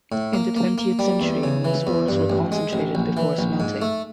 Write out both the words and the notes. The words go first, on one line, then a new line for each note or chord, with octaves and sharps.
In the twentieth century, most ores were concentrated before smelting.
A2
A#3
A#3
A#3
G3
E2
C#3
E3
E2
G2
A1
G#3
A1
A#1
E3
A#1
G#2
A3